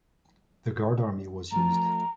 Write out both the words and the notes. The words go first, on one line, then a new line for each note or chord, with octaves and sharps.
The guard army was used.
F3 A3 A#5